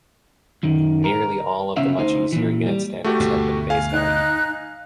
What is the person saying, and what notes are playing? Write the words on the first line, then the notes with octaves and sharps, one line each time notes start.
Nearly all of the much easier Unit Standards have been phased out.
F#2 D#3
A#4
C#3 B3 C#4 E5 F5
D2 D#4 C5
A#2 E3
G3
A3 F#4 G4
D2 G2 B2
F5 G#5
D#4 F#6